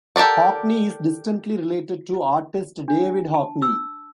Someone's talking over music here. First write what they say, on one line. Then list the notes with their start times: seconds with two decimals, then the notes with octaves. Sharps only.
Hockney is distantly related to artist David Hockney.
0.16 G4 A4 A#4 D5 F#5
2.88 D4
3.34 A5
3.62 E6